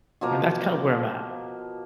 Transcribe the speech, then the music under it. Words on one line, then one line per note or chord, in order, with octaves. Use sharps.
and that's kind of where I'm at.
B2 F3 A#3 A#5